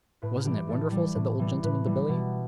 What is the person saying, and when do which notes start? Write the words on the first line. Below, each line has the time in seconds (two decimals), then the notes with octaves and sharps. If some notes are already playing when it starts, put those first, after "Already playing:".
"Wasn't it wonderful?" said the old gentleman to Billy.
0.22 A2 B4
0.45 E3 G3 G4
0.69 A2 A4
0.92 E3 G3
1.15 A2
1.39 E3 G3
1.63 A2 B4
1.86 E3 G3
2.09 B2